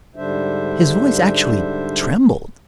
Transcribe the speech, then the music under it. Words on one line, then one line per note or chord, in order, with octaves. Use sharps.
His voice actually trembled.
G#2 D3 G3 D4 C5 E5